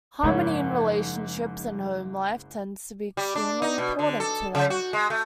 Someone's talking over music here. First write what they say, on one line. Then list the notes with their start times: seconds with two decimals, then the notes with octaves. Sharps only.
Harmony in relationships and home life tends to be extremely important to them.
0.23 F#1 G#2 F3 C#5
3.17 G3
3.36 D4
3.62 D#4
3.78 B2
3.99 D3
4.20 A4
4.55 C#3
4.70 F#4
4.93 G#3
5.10 A3